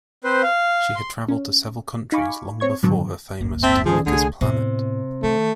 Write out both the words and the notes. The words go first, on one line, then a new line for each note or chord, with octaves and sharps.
She had traveled to several countries long before her famous Dominika's Planet.
C4 B4 C5
F5
C6
C#4
D#4 F5 G#5 B5 C#6 D6
C4 C#5 C#6 G#6
G#2 B2 D3 D#3 F#3
D1 G1 A#3
C4 E5 A5
D2 D#3 F3 C#4 G#4
C2 D3 A3 G#4 G#5
A2 C3 B3
D#3 A3